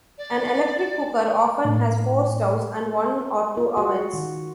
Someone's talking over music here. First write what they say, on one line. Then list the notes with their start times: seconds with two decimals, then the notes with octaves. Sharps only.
An electric cooker often has four stoves and one or two ovens.
0.18 D5
1.65 A2
3.57 F4
3.77 F#4
4.13 D#3